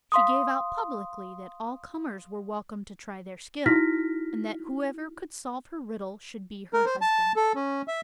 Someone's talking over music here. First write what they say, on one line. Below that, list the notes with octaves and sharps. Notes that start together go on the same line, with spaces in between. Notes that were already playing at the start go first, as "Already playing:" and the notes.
She gave out publicly that all comers were welcome to try their skill, and that whoever could solve her riddle should be her husband.
F5 C6 D#6
D#4 E4 F#4 F6 A#6 B6
A#4
C5
A5
A4
C#4
E5